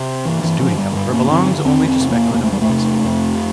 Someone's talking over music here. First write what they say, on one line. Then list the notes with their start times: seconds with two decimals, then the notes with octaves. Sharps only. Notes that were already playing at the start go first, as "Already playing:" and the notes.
This duty, however, belongs only to speculative philosophy.
Already playing: C3
0.25 G2 E3
0.43 E3
0.60 D3 F3
0.78 G3
0.95 G2 G3
1.13 A#3
1.30 D3 C4
1.65 E2 C4
1.88 C4
2.00 C3
2.11 A#3
2.34 E2 A#3
2.44 A3
2.52 G3
2.61 A3
2.69 C3
3.04 F2